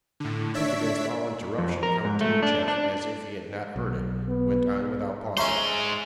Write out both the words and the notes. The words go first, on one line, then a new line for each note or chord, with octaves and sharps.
Proof against all interruption, Count Timascheff, as if he had not heard it, went on without pausing.
A2 D3
D4 C#5 E5 E6 B6 D7
F2
A#4
G#2
A3
D4
D4
B1
B3
G#2 G#3 C#4 C5 E5 A#5 C6 C#6